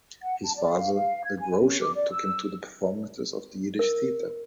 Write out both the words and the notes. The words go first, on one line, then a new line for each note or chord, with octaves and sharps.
His father, a grocer, took him to performances of the Yiddish theater.
F#5
A5
D5
F5
F5
G#6
G#5
C#4
D6
D5
E6
A#4